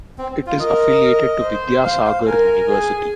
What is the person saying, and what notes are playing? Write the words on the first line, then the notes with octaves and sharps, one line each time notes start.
It is affiliated to Vidyasagar University.
C4
F4
A#4 D#5
C5
F5
F5
A#4 G#5
G#4